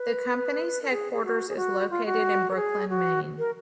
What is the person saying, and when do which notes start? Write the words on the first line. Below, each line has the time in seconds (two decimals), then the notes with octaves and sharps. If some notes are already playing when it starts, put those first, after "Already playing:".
The company's headquarters is located in Brooklin, Maine.
Already playing: B4
0.82 A#4
0.91 G#4
1.13 G#4
1.25 F#4
1.49 G#4
1.57 F#4
1.90 F4
2.06 F#4
2.51 A#4
2.56 G#4
2.90 F#4
3.39 A#4